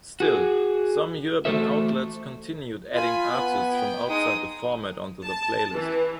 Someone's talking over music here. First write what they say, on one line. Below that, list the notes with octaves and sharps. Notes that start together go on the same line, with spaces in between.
Still, some urban outlets continued adding artists from outside the format onto their playlist.
F#4 G#4
E3 A3 F#4 A4 C5 E5
F4 G#5 B5
B3
G5
G#3 D#4 D#6
A5
E3